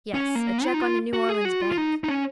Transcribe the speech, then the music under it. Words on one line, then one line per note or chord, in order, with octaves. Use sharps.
"Yes, a check on a New Orleans bank."
C#4
A#3
F4
D#4
F4
F#4
G#4
F#4
F4
F4
D#4
D#4
C#4